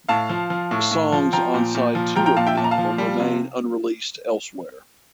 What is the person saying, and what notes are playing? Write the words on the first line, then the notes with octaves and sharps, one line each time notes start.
Songs on side two of the album remain unreleased elsewhere.
A2 F5 A5
F3
F3
A2
A2
F3
F3 G5 A#5
A#2
A#2
F3
F3 G5 A#5
G5 A#5
A#2 F5 A5
E5 G5
A#2 A5
A#5
F5 A5
F3
G3
C3